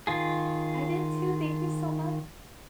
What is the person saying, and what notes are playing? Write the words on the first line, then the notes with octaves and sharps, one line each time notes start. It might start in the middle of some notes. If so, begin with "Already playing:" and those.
I did too. Thank you so mu
D#3 F4 G#4